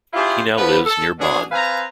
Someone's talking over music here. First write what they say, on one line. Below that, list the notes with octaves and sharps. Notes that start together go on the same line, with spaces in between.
He now lives near Bonn.
D4 E4 F4 G4 G#4 C5
D3 F3 B3 B4
A4
B2 D4 G#4
C4 B4 F5 G#5 A#5